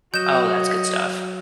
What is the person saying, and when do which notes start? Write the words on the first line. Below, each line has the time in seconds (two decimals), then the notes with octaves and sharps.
Oh, that's good stuff.
0.14 F#3 F#4 D#5 G6 E7